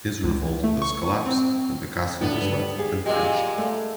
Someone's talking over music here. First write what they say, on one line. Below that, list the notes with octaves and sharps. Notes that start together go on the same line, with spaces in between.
His revolt thus collapsed and the castle was left unfinished.
C#2
A3
C#6
C4
A2 B3 D4 D#5
G2 G3
G4 G#4 F5
A#2 G#3 G4
A3